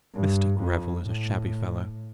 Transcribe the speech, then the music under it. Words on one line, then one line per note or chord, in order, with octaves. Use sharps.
Mr. Greville is a shabby fellow!
G2
F2
A2